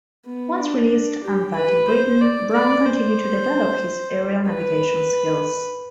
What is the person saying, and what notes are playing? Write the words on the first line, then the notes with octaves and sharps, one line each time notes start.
Once released and back in Britain, Brown continued to develop his aerial navigation skills.
B3
D4
G4
B4
C5
D5
D5
C5
B4